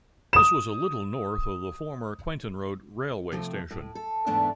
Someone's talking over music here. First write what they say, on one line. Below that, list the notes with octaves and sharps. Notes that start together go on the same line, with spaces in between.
This was a little north of the former Quainton Road railway station.
D#6 E7
C3 F3 A3 C4
A2
A4
E2 G#2 A3 B3 D4 A5